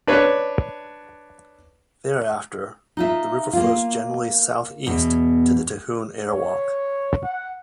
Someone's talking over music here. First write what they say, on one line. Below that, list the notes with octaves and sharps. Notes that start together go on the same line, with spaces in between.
Thereafter, the river flows generally south-east to the Tahune Airwalk.
D4 B4 C#5
D#4 F4 E5
A#3 F4
E2 B2
C#5
F#5